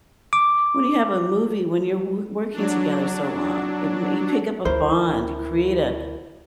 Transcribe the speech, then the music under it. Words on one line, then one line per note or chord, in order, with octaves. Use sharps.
when you have a movie, when you're w working together so long. It mm, you pick up a bond, you create a
D6
F#3 D4
D2 E4 A#4 C5